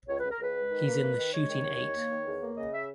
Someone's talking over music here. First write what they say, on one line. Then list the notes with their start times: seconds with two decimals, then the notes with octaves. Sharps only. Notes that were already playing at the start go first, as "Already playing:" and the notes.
He's in the shooting eight.
0.08 C#2 C#5
0.20 C#2 B4
0.31 A#4
0.39 C#2 B4
0.55 G#3
0.71 D#3
0.86 A#3
1.02 A#3
1.17 D#3
1.33 G#3 C#5
1.48 D#3
1.64 D#2
1.79 D#3
1.95 A#3
2.11 D#3
2.26 E2
2.42 A#3
2.57 C#3 D#5
2.73 E5